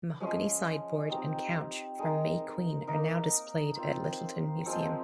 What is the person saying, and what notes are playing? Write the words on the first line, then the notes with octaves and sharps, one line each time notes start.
A mahogany sideboard and couch from "May Queen" are now displayed at Lyttelton Museum.
F3 G#3 C#4
C4 D#4 G4
G#3 D#4 A#4
A#3 D#4 A#4 D#5
C4 F4 C5
F3 G#3 C4